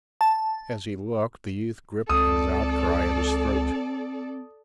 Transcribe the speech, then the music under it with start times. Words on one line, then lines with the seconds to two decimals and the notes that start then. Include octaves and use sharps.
As he looked the youth gripped his outcry at his throat.
0.21 A5
2.09 C#2 C4 A4 D5 D#6